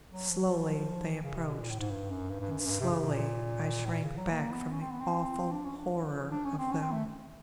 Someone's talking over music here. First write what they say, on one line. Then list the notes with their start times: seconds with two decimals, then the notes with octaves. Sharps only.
Slowly they approached and slowly I shrank back from the awful horror of them.
0.10 F#3
0.30 F3
0.39 F#3
0.49 F3
1.10 E3
1.23 C#3
1.37 C3
1.50 B2
1.60 A#2
1.70 A2
1.79 G#2
1.90 G2
2.10 F#2
2.30 G2
2.40 G2
2.51 F#2
2.60 G2
2.66 F#2
2.70 G2
2.80 C3
2.90 C#3
3.00 C3
3.10 A#2
3.86 A2
3.91 A#2
4.04 C#3
4.17 F#3
4.31 A#3
4.51 B3
4.71 C#4
4.81 C4
4.91 B3
5.01 C4
5.51 D4
5.65 C#4
5.78 D4
6.11 C#4
6.31 D4
6.45 C#4
6.58 C4
6.71 C#4
6.82 C4
6.92 A3